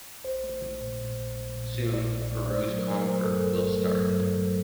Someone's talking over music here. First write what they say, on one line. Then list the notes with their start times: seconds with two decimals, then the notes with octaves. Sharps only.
Soon Peru’s conquer will start.
0.24 A#1 C5
0.44 A3
0.62 A#1
0.81 A#2
1.00 A#2
1.18 A#1
1.37 A#1
1.56 A#2
1.75 A#2
1.93 A#1 D5
2.12 A#1
2.22 D5
2.31 A#2
2.46 D5
2.50 A3 C5
2.69 F#3
2.78 A#4
2.88 A3
3.06 F#3 C5
3.23 G2 A4
3.34 A#4
3.44 G1
3.62 A3 A4
3.81 F#3
4.00 G2
4.19 G2
4.38 F#3